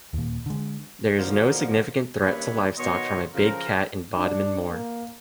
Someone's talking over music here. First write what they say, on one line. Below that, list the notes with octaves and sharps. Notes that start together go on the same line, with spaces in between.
There is no significant threat to livestock from a 'big cat' in Bodmin Moor.
D#2 A#2
D3 G#3
B2 D3 D#3 F3 A#3
G2 D#3 A#3 C#4 B4 C#5
B2 D#3 B3 C#5 D#5 C6
C#3 F3 A#4
D4
A#3